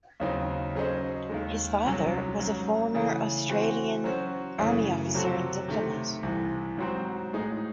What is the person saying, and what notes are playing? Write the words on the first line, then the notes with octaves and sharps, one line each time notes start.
His father was a former Australian Army officer and diplomat.
D#2 C#3 F#3 C4 D#4
F#3 C#4 G#4 C5 D#5
D#2 D#3 G#3
C2 C3 F#3 C#4
G#2 F#3 C#4
C#3 E3 A3
E3 C4 F#4
F#3 C#4 F#4 C5
F#2 C#3 E3 A3 C#4
C3 F#3 C4 F#4 A4
C3 D#3 A3
C2 C3 E3
G#2 F#3 C4 F#4 C5
A2 G#3 D#4 G#4